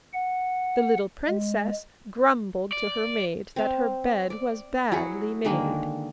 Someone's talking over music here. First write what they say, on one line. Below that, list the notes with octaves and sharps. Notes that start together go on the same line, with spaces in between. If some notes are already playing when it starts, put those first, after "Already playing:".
The little princess grumbled to her maid that her bed was badly made.
F#5
G#3
D5
C4 F5
D5
F#3 E4 F#4 G#4
D3 D#3 G#3 A#3